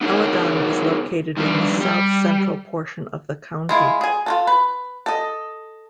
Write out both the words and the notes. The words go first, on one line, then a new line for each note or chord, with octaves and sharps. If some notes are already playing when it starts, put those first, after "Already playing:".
Allegan is located in the south-central portion of the county.
B3 D#4 F#4 G#4 A#4 C#5
D#3 F3 G3 B3 D4
G3
G#3 E4 F4
G#4 G#5
F4 F#4 A4
B4
A4 D#5